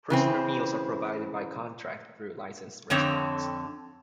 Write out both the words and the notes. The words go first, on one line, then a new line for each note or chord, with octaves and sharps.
Prisoner Meals are provided by contract through licensed restaurants.
C#3 E3 C4
F2 D3 C4 C#5